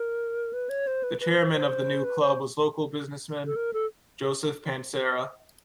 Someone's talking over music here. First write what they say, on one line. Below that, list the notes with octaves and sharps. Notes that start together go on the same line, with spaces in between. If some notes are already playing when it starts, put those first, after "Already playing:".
The chairman of the new club was local businessman Joseph Pansera.
Already playing: A#4
B4
C#5
C5
B4
B4
C5
C5
B4
C5
A4
A#4
A4